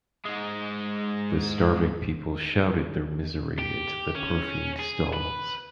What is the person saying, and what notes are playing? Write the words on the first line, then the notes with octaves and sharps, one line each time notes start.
The starving people shouted their misery into the perfumed stalls.
G#2 G#3
G4
C#4
G#4
B4